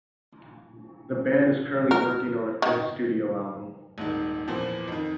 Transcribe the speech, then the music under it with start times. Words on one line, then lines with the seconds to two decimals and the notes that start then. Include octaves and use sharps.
The band is currently working on a fifth studio album.
1.91 A#4
2.62 D#3
3.98 D#1 G#2 D#3
4.48 E2 A#2 E3 F3
4.88 F2 D#3